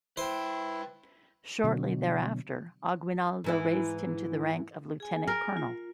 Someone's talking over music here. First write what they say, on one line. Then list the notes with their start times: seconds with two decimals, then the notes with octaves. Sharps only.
Shortly thereafter, Aguinaldo raised him to the rank of lieutenant colonel.
0.17 E4 B4 C5 G5
1.64 B2 D3 F#3
3.44 G#2 E3 E4
5.00 G#4 G#5
5.27 A#4
5.57 F4